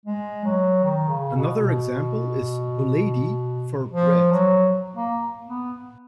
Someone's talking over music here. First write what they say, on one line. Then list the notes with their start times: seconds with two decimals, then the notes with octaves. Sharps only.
Another example is "buledi" for "bread".
0.06 G#3
0.45 F#3
0.83 D#3
1.08 C#3
1.35 B2
1.61 B2
3.93 F3
4.32 F#3
4.96 A#3
5.48 B3